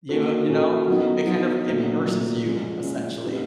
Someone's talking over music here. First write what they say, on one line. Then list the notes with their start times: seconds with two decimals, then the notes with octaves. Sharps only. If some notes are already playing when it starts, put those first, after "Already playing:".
Y you know? It kind of immerses you, essentially.
0.09 A#3 C#4 F#4 A4
0.49 A#3 C#4 F#4 A4
0.87 F#3 B3 D#4
1.27 F#3 B3 D#4
1.66 A#2 F#3 A3
2.05 A#2 F#3 A3
2.45 F3 G#3 C#4
2.84 F3 G#3 C#4
3.23 A3 C4 D#4 G4 B4